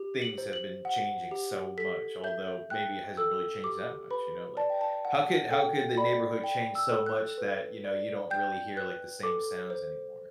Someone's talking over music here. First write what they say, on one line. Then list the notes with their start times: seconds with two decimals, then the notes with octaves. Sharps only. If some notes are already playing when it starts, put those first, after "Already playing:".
things have been changing so much, although maybe it hasn't really changed that much, you know? Like, how could how could the neighborhood change so much that, you know, you don't really hear, like, the same sounds anymore?
Already playing: G4
0.22 F#7
0.38 C5
0.53 F#7
0.85 F#5
1.31 G4
1.77 A4 B6
2.24 E5 G6
2.70 G5 F#6
3.17 A4 E6
3.64 G4 D6
4.11 B4 B5
4.57 D5 A5
4.70 G5
4.81 A5
5.05 F#5
5.51 A4 G5
5.97 D5 B5
6.44 G5
6.75 E6
6.90 A4
7.06 F#6
7.38 B4
7.84 D5
8.31 G5 G6
8.77 B4 F#6
9.23 A4 D6
9.70 C5